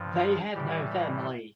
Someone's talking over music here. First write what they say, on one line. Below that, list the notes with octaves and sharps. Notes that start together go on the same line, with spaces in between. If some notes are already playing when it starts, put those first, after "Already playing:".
They had no family.
Already playing: G2 F3
A2 E3 G3 G4